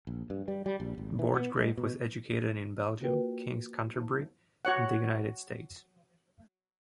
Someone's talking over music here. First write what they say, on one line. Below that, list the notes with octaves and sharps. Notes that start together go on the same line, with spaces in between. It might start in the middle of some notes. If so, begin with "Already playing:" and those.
Borchgrave was educated in Belgium, King's Canterbury, and the United States.
A#1
G2
G3
G3
A#1
G#1
E3
B3
G#3
B2
A#3 F4 F#4 A#4 B4 G5
F#4 C#5 F#5